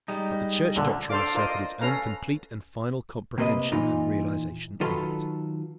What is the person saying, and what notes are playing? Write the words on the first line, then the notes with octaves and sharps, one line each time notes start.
But the Church doctrine asserted its own complete and final comprehension and realization of it.
G3 G#3 D#4
A#2 D3
D4 A4 C5 D5 F5 D6
F4 A#4 C5 D5 D#5
D#5
C#4 A4 B4 F5 A#5
C3 A#3 C4 B4 D#5
A#2 E3 D#4 F4
D#3 F#3 F4 A4 B4 C6